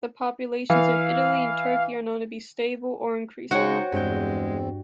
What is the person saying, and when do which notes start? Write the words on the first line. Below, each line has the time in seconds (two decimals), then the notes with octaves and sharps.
The populations in Italy and Turkey are known to be stable or increasing.
0.70 E3 F5
3.51 C#3 G#3 D#4 F#4 C5 C#5 F#5 G5
3.92 E2 G2 G#3 C4 G5